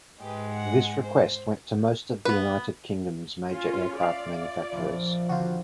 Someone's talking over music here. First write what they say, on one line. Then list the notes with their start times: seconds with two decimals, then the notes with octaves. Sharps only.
This request went to most of the United Kingdom's major aircraft manufacturers.
0.21 G#2 G#3 G4 B4
0.52 F#5
1.04 C5
2.25 B3 B4
3.49 C#4 F4
4.00 F4 D5 E5 F5
4.72 A#1 F3
5.29 D3 D#3 C4 F4 F#4